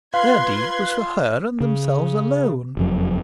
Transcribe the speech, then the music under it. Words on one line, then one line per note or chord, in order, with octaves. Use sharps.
Their deed was for her and themselves alone.
F4 B4 F5 C6 F#6 G#6
C#3
F#1 F2 F#3